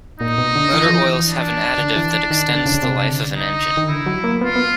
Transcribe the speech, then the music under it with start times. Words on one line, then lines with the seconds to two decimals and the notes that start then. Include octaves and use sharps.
Motor oils have an additive that extends the life of an Engine.
0.20 A#2 D#4
0.38 B2
0.55 D3
0.73 E3
0.86 F3
0.97 E3
1.26 D4
1.78 D3
1.96 E3
2.31 D#3
2.49 D3
2.66 C#3
2.83 C3
3.04 C#3
3.10 D3
3.36 D#4
3.77 D#3
3.89 D3 E4
4.06 F#3
4.24 A#3
4.41 B3 F4
4.56 B3